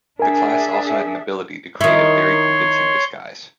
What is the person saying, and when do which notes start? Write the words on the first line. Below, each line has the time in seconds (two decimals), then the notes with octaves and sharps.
The class also had an ability to create a very convincing disguise.
0.19 D4 G#4 A#4 E5 G#5
1.81 D#3 E4 C#5 C6